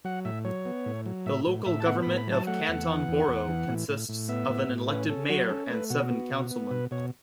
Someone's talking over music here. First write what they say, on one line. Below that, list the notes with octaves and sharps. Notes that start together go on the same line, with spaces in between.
The local government of Canton Borough consists of an elected mayor and seven councilmen.
F#3 F#5
A2 E5
F#3 C#5
B3
A2
F#3
A2 E5
A2
A2 E5
A5
B3 F#5
A2 B5
B5
F#3 A5
A3 F#5
E2
E3
E2
E2
E3
A2
A2
A2
B3 E5
A2
A2
C#4 B4
C#4 A4
F#3 F#4
C#4 A4
A3 B4
B2 F#4
B3
B2
B3
B2 B4
B2 C#5